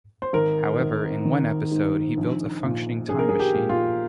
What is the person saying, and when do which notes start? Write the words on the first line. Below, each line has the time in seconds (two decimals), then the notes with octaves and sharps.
However, in one episode, he built a functioning time machine.
0.22 C5
0.33 G#1 A#4
0.79 G#1
1.25 D#3
1.71 G#2
2.17 A#1
2.63 A#2
3.08 A#1 G#4
3.19 A#4
3.29 G#4
3.39 G4
3.54 A#2
3.69 F4